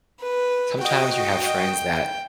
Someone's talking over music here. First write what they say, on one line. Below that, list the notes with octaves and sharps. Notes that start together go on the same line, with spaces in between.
sometimes you have friends that
B4
F#4 D#5 G5